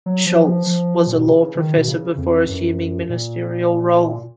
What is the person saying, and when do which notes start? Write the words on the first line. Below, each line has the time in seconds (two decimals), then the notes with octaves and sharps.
Scholz was a law professor before assuming ministerial role.
0.06 F#3
0.26 F3
0.46 F3
0.67 F3
1.07 A#2
1.17 B2
1.28 C#3
1.58 D#3
1.76 B2
1.88 C#3
2.18 F2
2.49 F#2
3.09 A#2